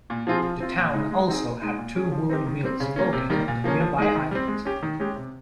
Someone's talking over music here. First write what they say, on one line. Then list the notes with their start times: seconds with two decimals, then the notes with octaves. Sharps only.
The town also had two woollen mills, located on the nearby island.
0.10 A#2
0.27 F3 C4 F4 G#4
0.43 F3
0.60 C4 F4
0.77 A#2
0.94 G#3 D#4
1.11 G#3
1.28 C4 D#4 G#4
1.45 A#2
1.62 G#3 D#4
1.78 A#2
1.95 G3 C#4 G#4
2.12 F3
2.29 C4 D#4 G4
2.46 D#3
2.63 G3 C4
2.80 C#3
2.96 G3 A#3 C#4
3.13 C3
3.30 D#3 G3 A#3
3.48 A#2
3.64 F3 A#3 C#4
3.80 F3
3.98 G#3 D#4 G#4
4.15 D#3
4.31 G3 C4
4.48 G#3
4.65 C#4 G4
4.82 D#3
5.00 G#3 C#4 G4
5.16 C3